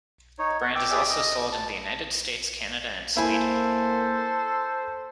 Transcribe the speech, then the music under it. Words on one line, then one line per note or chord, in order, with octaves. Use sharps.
The brand is also sold in the United States, Canada and Sweden.
D#4 C#5
F#5
G5 D6 E6
G4 G#4 D5 E5
D#5
A5
A#3 E4 A4 C5 G#5